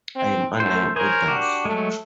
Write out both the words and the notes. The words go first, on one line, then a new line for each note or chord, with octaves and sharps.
I'm under your orders.
C4
F#2 A3 C5
G#4 A#4 C5 C#5
D4 F#4 G4
F#3 G#3 A3